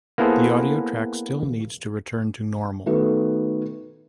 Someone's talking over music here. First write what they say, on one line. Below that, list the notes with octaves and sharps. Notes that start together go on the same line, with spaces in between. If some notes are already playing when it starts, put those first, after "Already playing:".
The audio track still needs to return to normal.
A#3 B3 E4 G#4 A4 C5
D#3 A3 B3 F#4